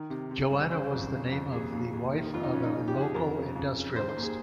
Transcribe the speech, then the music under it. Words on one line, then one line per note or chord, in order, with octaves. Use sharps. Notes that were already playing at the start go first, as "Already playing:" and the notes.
Joanna was the name of the wife of a local industrialist.
Already playing: D#3
C3
C3
C2
C#3 C5
F2
C#3
F2
D#2 G#4
D#2
D#2
D#3
F2 F4
D#4
F2 C#4
D#4
C#3 D#4
G4
F2
G#4
F2 A#4
C#3
F2
C#3
D#3 C5
C5
D#2
G#4